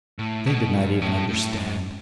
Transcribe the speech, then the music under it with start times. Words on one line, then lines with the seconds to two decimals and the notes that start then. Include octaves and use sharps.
They did not even understand.
0.19 A2
0.46 B2
0.74 F#2
1.02 A2
1.29 A2
1.57 G#2